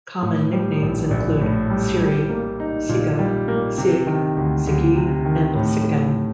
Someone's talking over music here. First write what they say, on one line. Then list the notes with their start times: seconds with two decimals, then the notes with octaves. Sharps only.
Common nicknames include Siri, Sigga, Sig, Sigi, and Sickan.
0.22 A2
0.53 G3
0.82 A#1
1.11 A#1
1.41 A2
1.70 G3
2.01 G3
2.29 A#3
2.60 D#4
2.89 A#2
3.19 G3
3.48 A#3
3.78 C3
4.07 D#3
4.37 D2
4.67 D2
4.96 C3
5.25 D#3
5.55 A2
5.84 A3